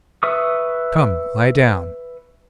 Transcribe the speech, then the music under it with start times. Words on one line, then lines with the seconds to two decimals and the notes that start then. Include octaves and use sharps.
"Come, lie down."
0.23 B4 E5 C#6 D#6